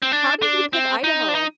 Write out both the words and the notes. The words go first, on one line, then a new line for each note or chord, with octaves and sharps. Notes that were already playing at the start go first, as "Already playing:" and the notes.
How did you pick Idaho?
C4
D4
D4
C4
D#4
D4
D#4